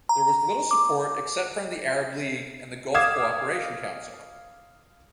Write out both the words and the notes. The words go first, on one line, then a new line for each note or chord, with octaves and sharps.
There was little support, except from the Arab League and the Gulf Cooperation Council.
A#5
D6
F5 D6 D#6 G#6 E7